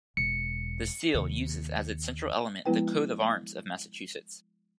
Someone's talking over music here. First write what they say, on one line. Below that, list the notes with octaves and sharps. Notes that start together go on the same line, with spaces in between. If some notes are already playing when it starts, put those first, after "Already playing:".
The Seal uses as its central element the Coat of Arms of Massachusetts.
E1 C#7
D#2 C3
F3 G#3 B3 E4 B4 G5